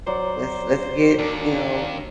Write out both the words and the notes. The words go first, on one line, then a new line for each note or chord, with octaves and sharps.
let's let's get, you know,
F#3 C5 D5
D#2 D4